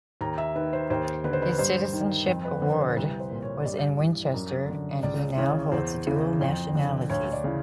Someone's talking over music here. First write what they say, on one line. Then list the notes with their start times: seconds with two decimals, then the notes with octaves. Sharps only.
His citizenship award was in Winchester and he now holds dual nationality.
0.21 D#2 A#5
0.38 E5
0.55 D#3 B4
0.73 C5
0.90 D#2 C5
1.24 D3 B4
1.33 C5
1.42 B4
1.58 G2 C5
1.93 D#3
2.27 F2
2.45 B4
2.62 D3 C5
2.80 C5
2.96 C2 B4
3.20 C5
3.31 A#2
3.42 C#5
3.65 G2 D5
4.00 E3
4.34 F#2
4.69 D3
5.03 C#2 D5
5.37 C#3 E3 C#5
5.72 E2 C5
6.07 C#3 E3
6.41 F2
6.75 D3
7.10 D2 C#5
7.33 D5
7.44 C#3 E3